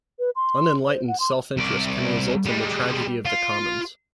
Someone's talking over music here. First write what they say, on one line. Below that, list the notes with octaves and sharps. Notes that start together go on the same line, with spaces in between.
Unenlightened self-interest can result in the tragedy of the commons.
B4
C6
C5
F#5
C6
C2 D5
G3 G#3
F4